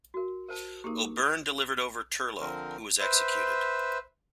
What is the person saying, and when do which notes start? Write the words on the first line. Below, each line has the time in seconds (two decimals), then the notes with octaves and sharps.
O'Byrne delivered over Turlough, who was executed.
0.14 F#4 A#4
0.49 A#4 C5 A5
0.84 A#3 D#4 G4 G#4 A#4
2.40 D3 F3 C4 A#4
3.00 B4 C5 E5